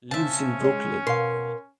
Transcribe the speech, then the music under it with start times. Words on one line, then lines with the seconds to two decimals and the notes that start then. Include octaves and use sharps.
Lives in Brooklyn.
0.11 C#3 C4 C#4 E5 A5
0.60 G#3 C#5
1.07 B2 A#4 F5 C6